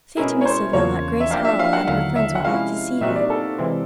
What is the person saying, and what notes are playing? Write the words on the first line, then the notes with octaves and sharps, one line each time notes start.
"Say to Miss Savell that Grace Harlowe and her friends would like to see her."
B2 G#3 C#4 E4 G#4 A#4
C#5
C5
E2 C#3 F3 A#3 C#5
E5
F3 A#3 D4 G4 F5
E5
F5
F#5
D#2 D3 F#3 F5
E5
F#5
C3 F3 G#3 C#4 E4 F5
A#2 G3 C4 D#4 F#4 E5
D5
A4
C3 E3 G#3 C4